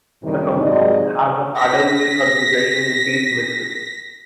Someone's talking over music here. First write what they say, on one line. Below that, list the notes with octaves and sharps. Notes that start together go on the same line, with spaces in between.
The compound has a paddlewheel configuration with D symmetry.
F#2 A2 C3 D#3 G3
G#2 C3 F#3 D5 D#5
A#6 B6